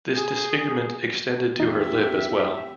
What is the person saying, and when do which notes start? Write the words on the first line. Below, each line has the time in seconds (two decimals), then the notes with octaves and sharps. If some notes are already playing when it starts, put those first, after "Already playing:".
The disfigurement extended to her lip as well.
0.17 G#4
1.59 E2 D#4 G4 E5